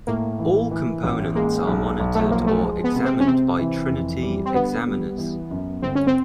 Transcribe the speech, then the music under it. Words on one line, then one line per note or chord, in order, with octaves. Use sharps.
All components are monitored or examined by Trinity examiners.
A2 A#3
E3
E3
A1
G#3 A#3
B1
B1
A3
F3 A#3
A3
G#3
B3
C3
C4
C#4
C3 C4
E3
F2
G3
C4
D3 B3
G3
E3
F#2
G1 C4
C#4
C4